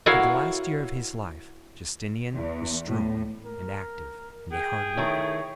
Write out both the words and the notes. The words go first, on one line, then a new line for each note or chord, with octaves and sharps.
To the last year of his life Justinian was strong and active and a hard worker.
E4 F#4 A#4 C#5 F5
E2
A2
A#4
G#4 G5
D#3 A3 E4 C#5